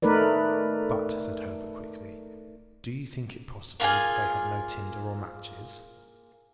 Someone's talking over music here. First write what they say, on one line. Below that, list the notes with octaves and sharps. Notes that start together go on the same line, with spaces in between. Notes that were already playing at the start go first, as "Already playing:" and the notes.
"But," said Herbert quickly, "do you think it possible that they have no tinder or matches?"
A3 D#4 A#4 B4 D5
A#3 F4 G#4 G#5